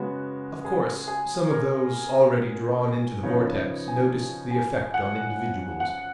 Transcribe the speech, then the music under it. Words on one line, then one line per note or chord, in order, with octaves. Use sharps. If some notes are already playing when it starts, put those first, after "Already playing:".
Of course, some of those already drawn into the vortex noticed the effect on individuals.
Already playing: C#3 G#3 B3 F#4
G#4
G#4
A#4
C#3 F3 B3 D#4 C#5
G#5
G#5
F#5
F#5